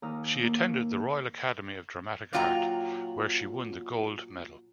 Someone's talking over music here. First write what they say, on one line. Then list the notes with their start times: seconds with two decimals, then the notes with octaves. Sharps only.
She attended the Royal Academy of Dramatic Art, where she won the Gold Medal.
0.02 D#2 A#5 D#6 F6
0.42 A#3
2.33 A#2 F#3 F4 G5 A#5